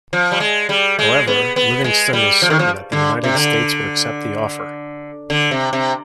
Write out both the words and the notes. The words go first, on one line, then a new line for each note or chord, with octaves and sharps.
However, Livingston was certain that the United States would accept the offer.
F3
G3
G#3
G3
G#3
B3
B3
G#3
G3
F3
D#3
F3
D3
C3
D3
D3
C3
C3